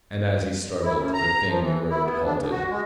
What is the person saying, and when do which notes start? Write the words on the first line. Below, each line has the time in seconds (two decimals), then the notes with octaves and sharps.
And as he struggled the Thing we rode halted.
0.83 E4
0.98 F#2
1.13 A#5
1.47 F3
1.61 E3
1.90 E4
2.04 B3
2.25 D4
2.37 C#3
2.51 F#4
2.70 G#3